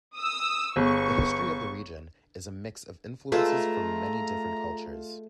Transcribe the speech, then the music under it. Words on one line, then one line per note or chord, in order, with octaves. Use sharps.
The history of the region is a mix of influences from many different cultures.
D#6 E6
G1 B3 G#4 C#6
G#3 A3 F4 B4 A#5